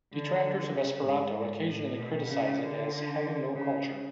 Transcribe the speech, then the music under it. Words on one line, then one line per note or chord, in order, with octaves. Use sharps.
Detractors of Esperanto occasionally criticize it as "having no culture".
D3
C#3
G#2
A2
B2
C#3
D3
C#3